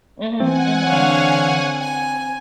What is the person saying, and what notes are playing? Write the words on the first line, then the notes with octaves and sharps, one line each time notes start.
Mhm, mhm.
E3 C4 F#5 G#5
D3 C#5 F5
G#5